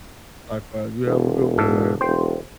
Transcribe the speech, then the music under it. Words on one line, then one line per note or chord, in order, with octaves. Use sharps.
Likewise, you have a good one, ma'am.
E1
G#2 A4
E1 C5 G5